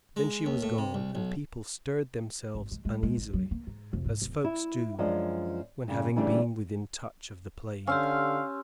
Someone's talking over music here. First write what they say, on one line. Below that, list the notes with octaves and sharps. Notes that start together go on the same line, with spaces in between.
Then she was gone; and people stirred themselves uneasily, as folks do when having been within touch of the plague.
G#3
D#2
A2
C3
C2
B1
G#1
G#3
G#3
G#3
A1
F#3
A#3
G#2
F1
G#2
D1
E4
F#2 F3 G#3 D4
G2 C#3
C#3 E3 G3 A3 D4
D3 C#4 G4 F5 C6 E6